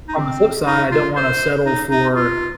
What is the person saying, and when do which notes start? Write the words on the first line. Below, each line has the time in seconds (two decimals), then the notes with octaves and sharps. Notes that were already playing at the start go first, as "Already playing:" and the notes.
On the flip side, I don't wanna settle for
0.08 D#4
0.16 C4
0.66 D#4
0.91 F4
1.16 C5
1.66 D#4
1.90 D#4
2.16 F4